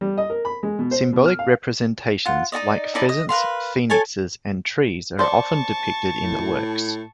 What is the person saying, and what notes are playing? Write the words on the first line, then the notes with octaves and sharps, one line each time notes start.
Symbolic representations, like pheasants, phoenixes and trees are often depicted in the works.
G3
D#5
A#4
B5
G#3
B2
C5
B2
F6
F5
F4 F#5
D#4 F#4 D5 D#5
D#4 E4 D5 A5
D#5
A#4 B4 F5 C6
A4 C#5 G#5 A5
C5 D5 A5 C#6
A2